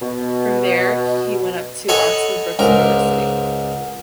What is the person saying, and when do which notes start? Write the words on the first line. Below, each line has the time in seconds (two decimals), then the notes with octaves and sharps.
From there he went up to Oxford Brookes University.
0.02 B2
1.89 A4 C#5 D#5 F#5 G#5 B5
2.59 C#2 G#2 A#4